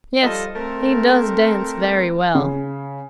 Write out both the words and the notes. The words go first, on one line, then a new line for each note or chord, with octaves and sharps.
"Yes, he does dance very well."
F3 G3 A4 D#5 F5
A3 C4 A4 A#4
C#3